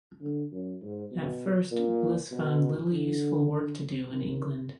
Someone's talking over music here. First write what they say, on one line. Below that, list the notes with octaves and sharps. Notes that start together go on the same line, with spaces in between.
At first, Bliss found little useful work to do in England.
D3
F#2
G#2
B2
A#2
B2
D3
D#3